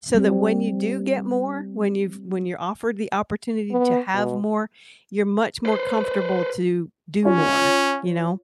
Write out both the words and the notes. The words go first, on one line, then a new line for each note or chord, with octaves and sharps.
so that when you do get more, when you've when you're offered the opportunity to have more, you're much more comfortable to do more, you know?
G3 C4
B3
B2
B4 C5
C#4 F4 C#5